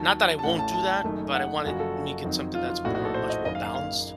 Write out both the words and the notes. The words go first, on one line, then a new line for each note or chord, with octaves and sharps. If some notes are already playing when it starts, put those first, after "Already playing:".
not that I won't do that, but I want it make it something that's more much more balanced
Already playing: D#2 D#3 F#3 A5
A5
A1 A2 A3 C#4 F#5
A5
A5
F#1 F#2 D#3 A3 D#4
F#5
F#1 F#2 C#3 F3 A3 F#4
A4
F2 D#3 F#3 C4 D#4
F4
F4
A#1 A2 A3 D#4 F#4
F#4
A4
C5
D#5
F#1 F#2 D#3 A#3 D#5
F5
F5
F5